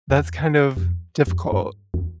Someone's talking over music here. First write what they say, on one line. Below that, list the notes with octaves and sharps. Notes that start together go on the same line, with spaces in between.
that's kind of difficult.
E2
F2
F2
G2
E2